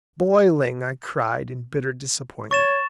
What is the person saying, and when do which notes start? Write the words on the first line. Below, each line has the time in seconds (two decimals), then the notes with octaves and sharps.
"Boiling," I cried, in bitter disappointment.
2.51 C#5 C#6 A6 E7